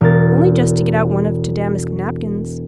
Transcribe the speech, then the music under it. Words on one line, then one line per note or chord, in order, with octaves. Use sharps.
'Only just to get out one of t' damask napkins.'
E1 A#4 A6